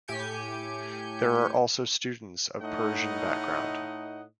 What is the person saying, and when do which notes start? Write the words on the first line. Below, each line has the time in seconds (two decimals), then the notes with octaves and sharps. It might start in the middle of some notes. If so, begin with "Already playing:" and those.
There are also students of Persian background.
0.08 A2 G4 G#5 G6 C#7
2.61 A2 A3 D#4 D#5 F#5